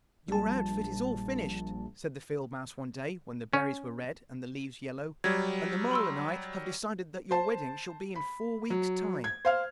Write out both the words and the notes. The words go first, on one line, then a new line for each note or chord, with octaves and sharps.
'Your outfit is all finished,' said the field-mouse one day when the berries were red and the leaves yellow, 'and the mole and I have decided that your wedding shall be in four weeks' time.'
A#1 G3 A5
C#4
F#3 G3 G#6
B5 C6 E6
C5 A5
B5
F#3
G#6
C5 F5 F6